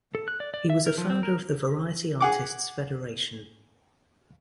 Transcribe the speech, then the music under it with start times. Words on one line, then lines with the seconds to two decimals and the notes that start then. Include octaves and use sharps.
He was a founder of the Variety Artists Federation.
0.15 A4
0.28 F#6
0.40 D5
0.54 D5
0.70 E5
0.86 A#4
0.98 F3
1.10 C4
1.23 A#4
2.20 G#4 F#5 D6